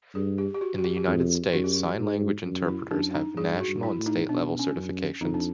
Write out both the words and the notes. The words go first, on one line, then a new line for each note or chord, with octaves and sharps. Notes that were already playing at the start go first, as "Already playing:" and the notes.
In the United States, Sign Language Interpreters have National and State level certifications.
G2 G#4
G4
G4
F#4
F#4
G4
G4
F2 G#4
F#2 F#4
G4
F#4
G#2
F#2
E4
F#2 D4
D#4
G2 G#4
F#4
G2
E4
A2
D#4
B2 D4
C#4
F#2
F2 D#4
D4